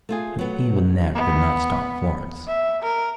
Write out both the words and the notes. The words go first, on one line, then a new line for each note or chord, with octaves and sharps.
But even that could not stop Florence.
A3 F4 G#4
F#3 B3
B3
E5
A#4